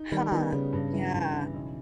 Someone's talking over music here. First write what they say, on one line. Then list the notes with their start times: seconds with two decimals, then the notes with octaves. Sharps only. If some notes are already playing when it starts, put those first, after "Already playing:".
Huh. Yeah.
Already playing: D#4
0.12 D#3 G3
0.32 D#3 B3
0.53 C#3 B3
0.73 G2
0.93 E3
1.13 G2
1.33 E3
1.54 B1